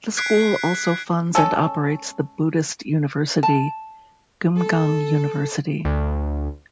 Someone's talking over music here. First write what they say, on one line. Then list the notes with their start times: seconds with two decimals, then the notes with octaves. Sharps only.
The school also funds and operates the Buddhist university, Geumgang University.
0.17 F#6 G#6 B6 C7 D7
1.35 G#3 C#4 A4
3.43 A5
4.57 A4
5.85 D2